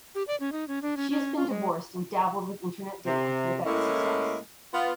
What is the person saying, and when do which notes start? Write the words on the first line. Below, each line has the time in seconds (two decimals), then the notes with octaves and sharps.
She has been divorced and dabbled with internet dating without success.
0.15 G4
0.28 D5
0.40 C#4
0.52 D#4
0.68 C#4
0.82 D4
0.97 C#4
1.11 C#4
1.37 F4
1.50 G#3
3.06 C3
3.66 A2 G#3 A#3 C#4 E4
4.73 B3 F4